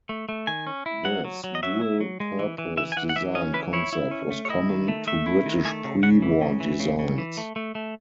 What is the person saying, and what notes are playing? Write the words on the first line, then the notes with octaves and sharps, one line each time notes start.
This dual-purpose design concept was common to British pre-war designs.
A3
A3
D#3 G#5
C#4
E4
F#3 F#5
F#3
F#3
D#5
F#3 E5
E4
F#3
G#3
E3
E3
E3 E5
G#5
E3 F#5
F#5
E3 E5
C#4 D#5
E3 B4
E4 C#5
E4
C#4
A3
C#5
E4 D#5
D#3
A3
A3 E5
E4
D#3
A3 G#5
C#3
C#3 F#5
E3
C#3
E3
C#3
C#3
E3
A3
A3
A3